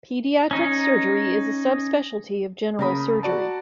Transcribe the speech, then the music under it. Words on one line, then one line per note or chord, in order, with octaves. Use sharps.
Pediatric surgery is a subspecialty of general surgery.
C#4 D#4
C#3 A#3 A#4 B5 D#6
F#4 D5 A5